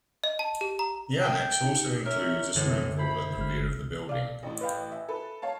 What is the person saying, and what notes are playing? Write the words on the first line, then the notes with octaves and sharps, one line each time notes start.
The annexe also includes a swimming pool at the rear of the building.
D#5
A5
G4
A#5
G5
D#4 G4 C#7
A#4 C#5 E5
F#2 A2 D3 E3 G#3
E4 C5 B5
G1 G#3 F6
D5 F5
A1 A2
B4 F5 G5
E5 G#5
A4 B4
C#5 F5 A5